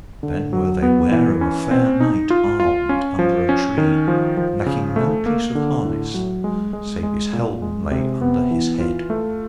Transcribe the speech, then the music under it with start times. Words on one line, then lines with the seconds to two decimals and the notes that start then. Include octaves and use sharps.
And then were they ware of a fair knight armed, under a tree, lacking no piece of harness, save his helm lay under his head.
0.23 D3
0.53 F#3
0.82 B3
1.12 E3
1.41 C#4
1.71 C4
2.00 D#4
2.30 F4
2.60 F4
2.89 C#4
3.19 F3
3.49 C#4
3.78 D#3
4.08 F3
4.37 F3
4.66 C#3
4.96 A3
5.26 A#3
5.55 D3
5.85 A2
6.14 F#3
6.44 G#3
6.73 G#3
7.03 G#3
7.33 A#2
7.62 G#3
7.91 C3
8.21 B3
8.51 E3
8.80 F4
9.10 A3